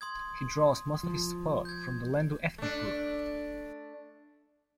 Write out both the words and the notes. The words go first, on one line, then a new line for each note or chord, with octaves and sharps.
He draws most of his support from the Lendu ethnic group.
C6 D#6 G#6
F3
G6 G#6
A3 D4